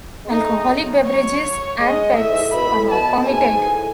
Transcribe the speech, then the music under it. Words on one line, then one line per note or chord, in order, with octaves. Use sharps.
Alcoholic beverages and pets are not permitted.
G#3
A3 D#4
G#3
F#3
C#5
G#3 D#5
A2 E5
G#2
A2
B2 B5
A2
B2 A5
G#2 G#5
A2